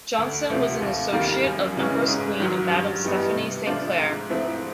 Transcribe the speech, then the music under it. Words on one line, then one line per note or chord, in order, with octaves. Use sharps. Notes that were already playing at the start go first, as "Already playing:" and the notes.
Johnson was an associate of numbers queen Madame Stephanie Saint Clair.
D2
C3 F3 A3
D#2
D#3 G3 A#3
F#2
C#3 E3 G#3 C#4
G#2
D#3 F#3
G2
E3 G3 B3 D#4
C3
F3 A3 D4 F4
G#2
F3 A3 C4 E4